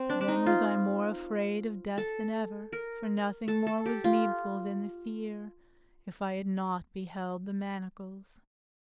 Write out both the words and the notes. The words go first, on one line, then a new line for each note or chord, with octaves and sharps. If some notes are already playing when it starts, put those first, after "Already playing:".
Then was I more afraid of death than ever, For nothing more was needful than the fear, If I had not beheld the manacles.
Already playing: C4
D4
D4
D#4
F4
A4
A#4
A4
A4
G4
F4